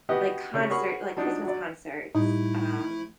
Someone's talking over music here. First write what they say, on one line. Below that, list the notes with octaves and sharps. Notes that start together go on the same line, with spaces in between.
Like concert like Christmas concerts, um,
B3 F#4 G4 B4 D#5
C#3 C#4
F#4 G#4 A#4 C#5 B5 C#6
F3 F#3 D4 D#4
F#3 D5
A2 G3 A3 D#4 E4